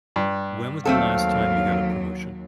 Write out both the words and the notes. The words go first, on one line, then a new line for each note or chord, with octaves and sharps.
When was the last time you got a promotion?
G2
D#2 F#3 A3 C4 A4 F5